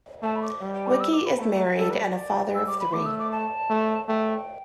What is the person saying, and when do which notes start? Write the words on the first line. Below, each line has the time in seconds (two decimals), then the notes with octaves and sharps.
Wicki is married and a father of three.
0.22 A3 A5
0.36 B5
0.42 D6
0.61 G3
0.74 G5
0.87 D6
1.00 E6
1.13 D6
1.26 B5
1.39 A3 E5
1.51 D5
1.77 G3 A4
1.90 B4
2.03 D5
2.54 G3 E6
2.67 D6
2.80 B5
2.92 A3 D6
3.06 E6
3.19 D6
3.31 A5
3.70 A3
4.08 A3 G5